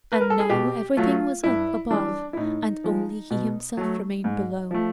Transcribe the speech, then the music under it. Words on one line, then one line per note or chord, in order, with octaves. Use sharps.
And now everything was up above and only he himself remained below.
B4
A#4
A4
G#4
B2 G4
F#3 A3 F4
G2 E4
E3 G3 D4
E4
A2 D#4
F3 G#3
B2
F#3 A3
G#2
F3 A3